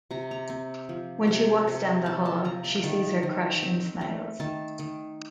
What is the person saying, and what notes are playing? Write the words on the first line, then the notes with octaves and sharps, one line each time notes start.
When she walks down the hall, she sees her crush and smiles.
C3 A#5
A#5
C4
F3
C3
C3
C4 A5
A5
F3 A#5
A5
D#3 A5
D#3
C4
A3
D#3 A5
D#3